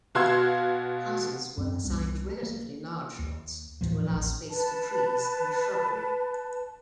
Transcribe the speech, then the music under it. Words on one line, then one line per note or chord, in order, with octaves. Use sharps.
Houses were assigned relatively large lots to allow space for trees and shrubbery.
B2 F#4 F5 C6 E6 G#6
F#2 C4
C2 B3 D4
A#3
D#2
D#2 A2 E3 F3
A1
B4 A5